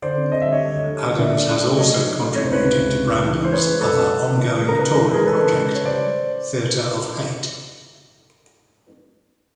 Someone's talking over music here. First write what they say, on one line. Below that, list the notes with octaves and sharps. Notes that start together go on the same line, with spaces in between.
Adams has also contributed to Brandon's other ongoing touring project, Theatre of Hate.
D3 C5 D5
C4
D3 D#5
G3 E5
C#5 D#5
D3
D2
G3
D3
D4 D5 E5
A3
D4
A3
F#3 C#5 D#5
F#3
D4
A3
C3 C#5
C5
C#2 B4 C#5
C3
C#2
C#2
C#2
E3
E3
C5
C#4 B4 C#5
G#3
F#2 A4 B4
C#4
C#4
D#3
C#4
G#3
C#3 A#4
G#3 B4
A#4
E3 B4
G#3 G#4 A#4
E3 A4 B4
C#3
G#3
C#3 C#5
G3 C5 D5